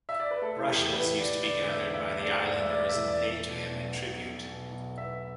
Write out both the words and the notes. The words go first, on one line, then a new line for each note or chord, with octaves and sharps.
Rushes used to be gathered by the islanders and paid to him in tribute.
E5
D5
B4
A3 A4
E4
E2 G4
E2 B4
E2 D5
D3 D5
E2 E5
A3 E5
A3 D5
E2 D5
E5
A3 D5
E5
E2
D5
A3
D5
B2
B1
B1
B1
B2
B1
B3 E5